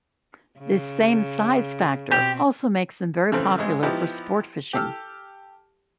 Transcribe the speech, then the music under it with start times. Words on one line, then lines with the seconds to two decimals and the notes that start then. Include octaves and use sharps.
This same size factor also makes them very popular for sport fishing.
0.59 C#3
2.11 B2 C4 G4
3.32 C#3 E3 A3 C4
3.58 G#1 G#3
3.83 F3 B3 D#4 E4 G4
4.73 G4 A4 E6 F6